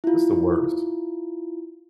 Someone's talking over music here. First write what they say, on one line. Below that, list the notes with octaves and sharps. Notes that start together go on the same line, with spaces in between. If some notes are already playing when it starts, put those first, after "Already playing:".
It's the worst.
E4 F4